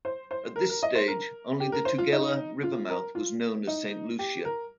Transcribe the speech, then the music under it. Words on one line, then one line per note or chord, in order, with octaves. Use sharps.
At this stage, only the Tugela River mouth was known as Saint Lucia.
C5
C5
A#4
A#4
D#5
C5
A#4
G4
A#4
C5
F4
D#4
F4
A#4
F4
D#4
G4
A#4